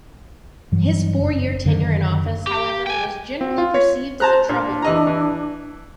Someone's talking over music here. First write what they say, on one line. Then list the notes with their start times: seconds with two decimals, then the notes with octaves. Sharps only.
His four-year tenure in office, however, was generally perceived as a troubled one.
0.72 G2 E3 F#3
1.20 F#1
1.65 F#2 D3 D#3
2.47 G4
2.87 G5 G#5
3.41 C4
3.58 F4
3.74 C#5
4.20 C5 A5 A#5 F#6
4.49 A#2 D4
4.82 E3 D#5 A#5
5.07 E3